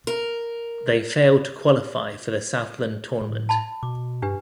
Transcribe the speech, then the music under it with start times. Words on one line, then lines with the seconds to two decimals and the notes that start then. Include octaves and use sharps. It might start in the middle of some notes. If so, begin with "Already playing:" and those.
They failed to qualify for the Southland Tournament.
0.07 A#4
3.21 A2
3.49 A5 B5
3.83 B2 D6
4.22 G2 D4 G4 B4